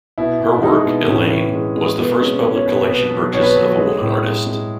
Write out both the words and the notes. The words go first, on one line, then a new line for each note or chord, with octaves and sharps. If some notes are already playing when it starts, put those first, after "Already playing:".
Her work, "Elaine", was the first public collection purchase of a woman artist.
B2 E4
B2
E4
G#3 D#4
B2
A2 C#4
E3
G#3
G#3
B2 B3
G#3 C#4
G#3 C#4
C#5
B2 B4
B2 B4
F#3
B2 C#5
B4
C#5
F#3
G#3
A2
G#3
G#3